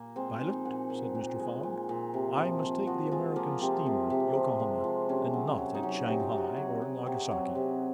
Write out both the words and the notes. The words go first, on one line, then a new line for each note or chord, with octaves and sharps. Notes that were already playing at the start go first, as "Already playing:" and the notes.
"Pilot," said Mr. Fogg, "I must take the American steamer at Yokohama, and not at Shanghai or Nagasaki."
Already playing: A#2 A#3
G#3 C4
F3 D#4
A#2 F#4
A#2
A#2
G#3
A#2
A#2
C3
F3
F3
F3 F#4
G#3 F4
F3 A#3
C3 C4
C3
C3
F3
G#3
F3
C3 C#4
F#3
F#3
D#4
F#3 C#4
D#4
C3
F4
C3
F#4
F#3 G#4
F#3
C3
F#3 G#4
C3